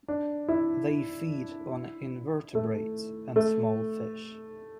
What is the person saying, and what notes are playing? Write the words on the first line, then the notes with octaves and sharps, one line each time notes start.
They feed on invertebrates and small fish.
D4
E4
A3
A3